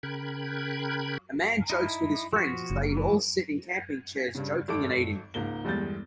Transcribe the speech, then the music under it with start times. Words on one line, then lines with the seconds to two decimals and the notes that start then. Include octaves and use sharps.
A man jokes with his friends as they all sit in camping chairs joking and eating.
0.03 C#3 A#4 G5 B5 F#6 G#6
1.70 D#4 E4
2.33 F3 F#4
2.70 F#1
2.97 E3
4.35 G2 C#3
4.68 G#1 A4 D6 D7
5.34 C#2 G#2 A#3 G7
5.65 G1 E2 G3 G#3 G6 A6